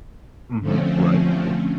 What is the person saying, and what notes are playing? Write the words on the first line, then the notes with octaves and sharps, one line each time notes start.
Mhm, right, right.
D3 F3 A3 C4 C#4